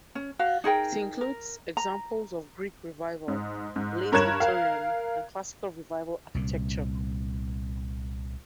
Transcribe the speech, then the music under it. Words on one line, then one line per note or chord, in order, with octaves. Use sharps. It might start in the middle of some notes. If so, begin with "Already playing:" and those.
It includes examples of Greek Revival, Late Victorian, and Classical Revival architecture.
C#4
F#4 F5
D#4 G#4 A#4 G5
A#4
A#5
G#2
G#2
G2 A#4 C#5 F#6 G#6 E7
A#4 F5
C2 A#2